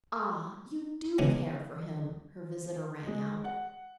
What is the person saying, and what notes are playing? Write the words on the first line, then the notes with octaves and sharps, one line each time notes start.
"Ah, you do care for him!" her visitor rang out.
C#2 B2 E3 C#4
G#3
F#5